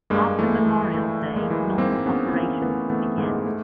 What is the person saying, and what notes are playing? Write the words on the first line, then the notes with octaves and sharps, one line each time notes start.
After Memorial Day, normal operations begin.
G2 G#3 A#3
E3 A3
E3
E3 A3
E3
G#3 A#3
E3
G#2 A#3 C4
G#2 B3 C#4
E3 A#3 C4
E3 A3 B3
E3 A3 B3
G#2 G#3 A#3
A3